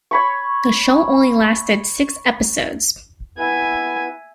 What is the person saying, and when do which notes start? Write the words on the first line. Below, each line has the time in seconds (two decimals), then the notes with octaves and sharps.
The show only lasted six episodes.
0.11 C#5 B5 C#6
3.38 B3 E4 B4 E5 G#5